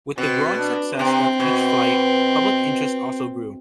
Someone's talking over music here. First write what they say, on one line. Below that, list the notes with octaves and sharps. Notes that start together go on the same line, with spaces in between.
With the growing success of each flight, public interest also grew.
B2 C4
D4
C3 C4
B2